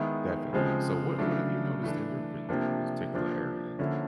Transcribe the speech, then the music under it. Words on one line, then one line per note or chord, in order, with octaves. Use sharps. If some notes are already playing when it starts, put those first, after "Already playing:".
Definitely. So, what what have you noticed in your par particular area?
Already playing: D#3 G#3 B3 E4
C#3 F3 G#3 C4
C#3 F#3 A3 D4
E3 A3 D4
C3 F3 A#3 D4
F3 A#3 D4 F4
D3 F3 A#3 C#4 E4